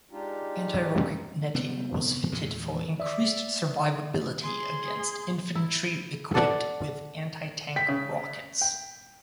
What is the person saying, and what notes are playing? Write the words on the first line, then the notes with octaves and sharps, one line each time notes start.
Anti-rocket netting was fitted for increased survivability against infantry equipped with anti-tank rockets.
G#3 D4 D#4 F4 G4
C3 B3 C4
E2 A#2 E3 G#3
D5 E5
G#4 C6
E4
A4 D5 F#5
G5 B6
C#3
G5